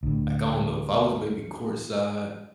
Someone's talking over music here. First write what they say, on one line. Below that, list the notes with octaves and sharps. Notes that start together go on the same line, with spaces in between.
Like, I don't know, if I was maybe courtside
D2 A2